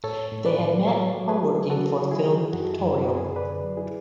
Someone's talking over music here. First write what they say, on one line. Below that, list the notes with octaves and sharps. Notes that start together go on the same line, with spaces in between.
They had met while working for "Film Pictorial".
A2 A4 C#5
A2
B4 D5
A2
F#3 A4 C#5
F#3
G#4 B4
F#3
F#3 F#4 A4
F#3
E4 G#4
F#3
F#2 F#4
A4
E4 G#4
F#2
F#4 A4
F#2
G#4 B4
D3 B4 D5
F#3
E4 G#4